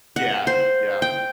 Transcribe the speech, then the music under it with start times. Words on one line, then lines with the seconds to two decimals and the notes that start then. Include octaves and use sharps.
Yeah, yeah.
0.16 F#5
0.47 C5
1.02 G5